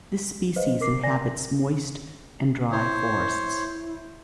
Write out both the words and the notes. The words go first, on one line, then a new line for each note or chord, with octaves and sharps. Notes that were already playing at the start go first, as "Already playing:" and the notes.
This species inhabits moist and dry forests.
B4 C5 D#5 F5
A#4 D6 C7
D5 G#5 A#6
E4 C5 C#5